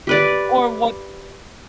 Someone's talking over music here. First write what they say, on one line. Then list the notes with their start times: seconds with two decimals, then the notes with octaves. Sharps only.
Or what
0.07 G4 B4 D5